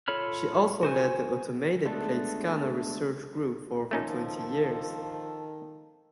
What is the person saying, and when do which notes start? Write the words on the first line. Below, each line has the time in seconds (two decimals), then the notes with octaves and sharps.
She also led the Automated Plate Scanner research group for over twenty years.
0.08 F4 A4 C#5 B5 F6
0.83 F#4 C5 G#5
1.86 G#3 A3 B3 D4 A4
3.91 D#3 F3 A3 C#4 D#4 A4